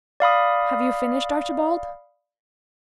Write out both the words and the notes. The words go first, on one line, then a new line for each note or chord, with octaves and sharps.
"Have you finished, Archibald?"
D5 F5 B5 D#6